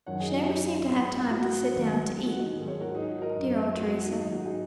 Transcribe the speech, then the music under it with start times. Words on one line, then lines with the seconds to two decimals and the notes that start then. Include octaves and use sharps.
She never seemed to have time to sit down to eat Dear old Teresa!
0.06 F#2 D#3 F#3 C#5 F#5
0.20 D#4 G#4
0.34 F#4
0.48 D#4
0.88 G#2 F#3
1.31 F#4
1.71 D#2 D#3 F#3
2.26 F#4
2.39 D#4
2.53 G#2 D#3 F#3
2.67 G#4 C#5
2.81 F#4 A#4
2.95 D#4 G#4
3.08 F#4
3.22 A#4 D#5
3.35 F#2 F#3
3.77 F#4
3.91 F#4
4.04 D#4
4.18 G#2 D#3 F#3 D#4
4.32 F#4
4.45 D#4 G#4